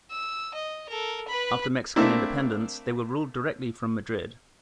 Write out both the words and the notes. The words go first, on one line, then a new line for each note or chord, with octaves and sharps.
After Mexican independence, they were ruled directly from Madrid.
E6
D#5
A4 A#4
B4 B5
A3 A#3 C4 D4 E4